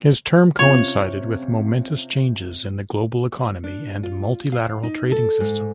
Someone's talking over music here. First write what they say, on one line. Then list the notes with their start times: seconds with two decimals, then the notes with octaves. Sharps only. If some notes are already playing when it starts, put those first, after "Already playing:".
His term coincided with momentous changes in the global economy and multilateral trading system.
0.59 C3 C#4 F4 C#5
3.64 D4
4.03 F4
4.52 F5
4.83 D#4
5.12 A4
5.40 G#2